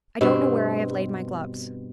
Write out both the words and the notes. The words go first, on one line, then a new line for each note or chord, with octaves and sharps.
"I don't know where I have laid my gloves."
G2 B2 C4